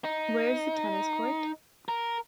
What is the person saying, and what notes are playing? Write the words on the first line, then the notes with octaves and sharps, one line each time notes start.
Where is the tennis court?
D#4
A#4